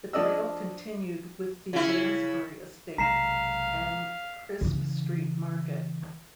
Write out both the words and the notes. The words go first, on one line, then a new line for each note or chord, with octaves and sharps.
The trail continued with the Lansbury Estate and Chrisp Street Market.
F3 D4 A4 D5 D#5 E6
C#3 E4
B1 C3 G#3 F5 A#5 B6 C7 E7
C#3 E3